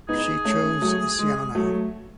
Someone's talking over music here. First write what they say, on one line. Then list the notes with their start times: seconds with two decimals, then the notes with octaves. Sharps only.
She "chose" Isyana.
0.09 B3 D#4 G#4
0.45 A3 C#4
0.81 F#3 A3
1.19 G#3
1.55 F#3 A3